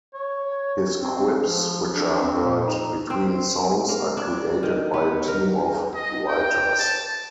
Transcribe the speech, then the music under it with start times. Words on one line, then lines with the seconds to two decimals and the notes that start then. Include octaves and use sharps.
His quips which are heard between songs are created by a team of writers.
0.14 C#5
1.00 C4
1.42 F3
1.93 D4
2.20 C4
2.44 A#2
2.67 D#4
3.10 C4
3.89 A#3
4.17 D4
4.63 D#3
4.94 B3
5.28 A#4
5.94 D#5
6.28 G5
6.79 A5